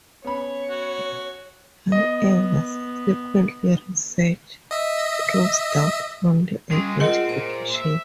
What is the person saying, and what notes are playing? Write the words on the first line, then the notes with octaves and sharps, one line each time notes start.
However subsequent research throws doubt on the identification.
B3 C#4 C#5 B5
F#4
B3 D#5
D#5 E5
G3 G#3 C#4 F4 D#6
C4 F4 G#4 A#4 D#5 F#5
A#2 C5
E5